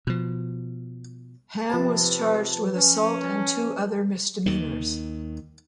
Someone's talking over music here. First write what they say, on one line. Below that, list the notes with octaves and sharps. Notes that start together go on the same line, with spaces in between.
Hamm was charged with assault and two other misdemeanors.
B2 F3
C3 F3 B4 A5
C#4
D#2 D#3